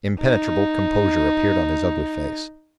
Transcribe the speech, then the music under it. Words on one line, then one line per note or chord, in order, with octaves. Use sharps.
Impenetrable composure appeared on his ugly face.
D#4